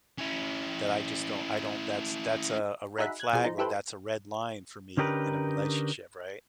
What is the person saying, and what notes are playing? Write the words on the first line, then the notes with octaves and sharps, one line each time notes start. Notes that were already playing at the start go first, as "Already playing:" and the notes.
that I, just, don't I don't that's that's a a red flag or that's a red line for me in a relationship, right?"
C#4 E4
D#4 F#4 G#4 E5 F#5 B5
F#6 G#6
B2 F3 G#4
F3 D#4
E4 G4 A4 B4 C5
D3 C#4 D#4 G4 A#4 B4